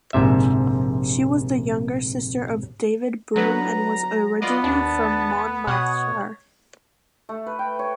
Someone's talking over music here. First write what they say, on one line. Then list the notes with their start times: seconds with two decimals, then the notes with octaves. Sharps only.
She was the younger sister of David Broome and was originally from Monmouthshire.
0.13 A#1 G#2 C3 E5
3.36 D3 F#3 B3 B4 A#5
4.42 B3 F4 D5 D#5
4.64 D#2 D4 A5
5.67 B2 C#5 F#5 D#6
7.29 A3
7.47 B4
7.59 G5
7.79 C#5